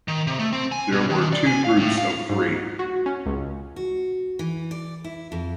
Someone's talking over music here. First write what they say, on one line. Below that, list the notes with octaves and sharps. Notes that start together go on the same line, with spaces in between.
There were two groups of three.
D#3
C3
A3
C4
G#5
B2
D#3
D5
G#5
F5
A2
F5
G#2
F#4
C#4
C#2
F#4
E3
D5
E4
F2